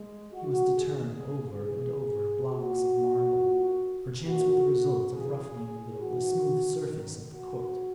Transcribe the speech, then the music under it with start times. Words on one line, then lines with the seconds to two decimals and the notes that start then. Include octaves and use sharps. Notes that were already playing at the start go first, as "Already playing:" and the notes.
He was to turn over and over blocks of marble, perchance with the result of ruffling a little the smooth surface of the court!
Already playing: G#3
0.33 F#4
0.77 G#2 D#3 G#4
1.64 F#2 E3 G#4
2.51 A#2 F#4
3.39 A#2
4.26 A#2 F#4
5.13 F#2 C#3 E3 G#4
6.00 G#2 E3 F#4
6.87 F#2 D#3
7.32 F#4